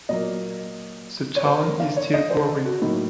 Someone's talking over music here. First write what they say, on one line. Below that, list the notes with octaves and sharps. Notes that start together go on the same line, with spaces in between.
The town is still growing.
A#2 F#3 A#3 D#5
C#5
C5
A#4
F5
C#5
D#5
C5
A4
F#4
A2 F#3 A#3 D#4